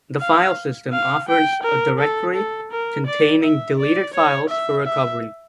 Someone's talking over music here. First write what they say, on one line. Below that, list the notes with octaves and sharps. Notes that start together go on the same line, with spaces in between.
The filesystem offers a directory containing deleted files for recovery.
F5
F5
G5
A#4
A4
A4
A#4
D5
E5
D5
C#5
E5
E5